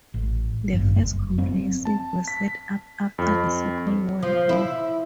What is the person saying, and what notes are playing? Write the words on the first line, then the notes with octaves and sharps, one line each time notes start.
The first comprehensives were set up after the Second World War.
A1
G#1 G2
F#1
F#3 C4
A5
B6
F2
F3
E4